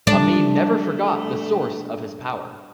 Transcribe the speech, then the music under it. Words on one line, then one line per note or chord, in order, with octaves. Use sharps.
Amin never forgot the source of his power.
F3 G3 A3 D4